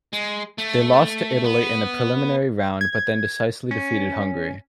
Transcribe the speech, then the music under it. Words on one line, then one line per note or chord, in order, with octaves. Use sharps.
They lost to Italy in the preliminary round but then decisively defeated Hungary.
G#3
A3
B3
G#6
C#4